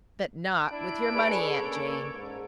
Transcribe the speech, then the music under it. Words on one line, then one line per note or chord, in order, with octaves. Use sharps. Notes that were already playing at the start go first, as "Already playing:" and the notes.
But not with your money, Aunt Jane.
D4 E4 B5 D7
D4 G#4 A4 B4 C#5
A#3 C#4
G#2